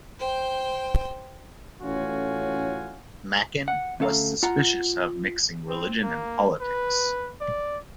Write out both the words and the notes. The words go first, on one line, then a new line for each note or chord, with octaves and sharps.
Machen was suspicious of mixing religion and politics.
C5 G5
A1 A2 C#4 F4 F#4 G#5
F#5
D2 C#4 A4 F5 A#5
F4 F#5 A#5
C4
A#3
B4
D5